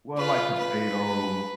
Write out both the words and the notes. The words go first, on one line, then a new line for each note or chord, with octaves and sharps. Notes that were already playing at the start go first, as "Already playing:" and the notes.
well, like potatoes,
F4 B4
B4